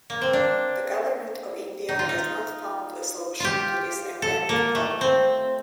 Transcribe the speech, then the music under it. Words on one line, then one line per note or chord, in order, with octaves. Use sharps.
The Government of India has not found a solution to this endemic problem.
A#3
C4
D4
D#4
F4
D#4
F4 G4
A4
A#3
A3
C4